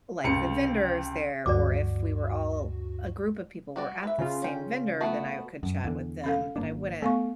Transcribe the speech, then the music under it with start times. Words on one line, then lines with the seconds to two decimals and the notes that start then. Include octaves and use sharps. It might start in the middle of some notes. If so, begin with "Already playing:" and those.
like the vendors there, or if we were all, a group of people were at the same vendor, then I could chat with them, but I wouldn't
0.24 C#2 C3 C#7
1.46 D2 G2 F#4 D5 D6
3.76 G3 F#4 D5
4.03 B4 E5
4.18 C#3 F4
4.42 C#4 G5
5.01 A3 B3 F#4
5.63 F#2
5.84 E2 D3
6.24 C#4 A4 F5
6.56 G#1 A#3 D4
7.02 A3 B3 F5 C#6